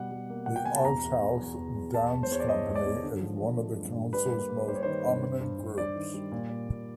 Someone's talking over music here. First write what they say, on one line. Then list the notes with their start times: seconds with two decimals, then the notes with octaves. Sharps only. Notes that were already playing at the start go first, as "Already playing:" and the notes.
The Arts House Dance Company is one of the council's most prominent groups.
Already playing: B2 G3 F#5
0.11 G3
0.30 A#3
0.46 B2 F#5
0.56 G5
0.66 B2 G#5
0.76 A5
0.84 E2 A#5
1.03 E2
1.21 E2
1.39 E2
1.57 E2
1.76 E2
1.94 E2 A5
2.12 E2
2.23 C5
2.30 E2 C#5
2.40 D5
2.49 E3 D#5
2.67 E2
2.76 D5
2.86 E2
3.03 D3
3.21 F3
3.40 F3
3.58 A3
3.76 G2
3.95 D3
4.13 G3 B4
4.31 A#3
4.49 A#3
4.68 G3 C5
4.76 C#5
4.83 D#3 C5
5.05 G2
5.22 G2
5.41 G2
5.58 G2
5.77 G2 D5
5.96 D#3
6.14 G3
6.32 A#2
6.50 A#2
6.69 A#2